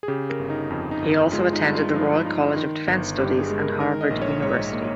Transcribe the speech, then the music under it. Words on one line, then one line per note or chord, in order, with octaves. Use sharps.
He also attended the Royal College of Defence Studies, and Harvard University.
G#4
C#3 G4
A#4
G1
D#4
F2 D#4
D#4
G1
G#3 F4
D#4
G2
F4
F3
D#4
D#3
G1
G2 G4
G#4
G#3
A#4
D#3 A#4
D#5
A#1
C#5
G#2 C#5
A#3